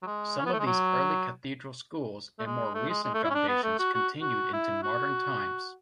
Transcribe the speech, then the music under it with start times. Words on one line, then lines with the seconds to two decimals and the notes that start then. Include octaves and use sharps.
Some of these early cathedral schools, and more recent foundations, continued into modern times.
0.03 F#3
0.07 G#3
0.38 C#4
0.46 B3
0.53 A3
0.59 G#3
0.66 F#3
2.39 A3
2.46 G#3
2.74 A3
2.89 G#3
3.04 G#3
3.14 A3
3.24 E4
3.30 C#4
3.34 D4
3.49 B3
3.63 A3
3.79 F#4
3.94 F#4
4.22 F#4
4.53 E4
4.83 F#4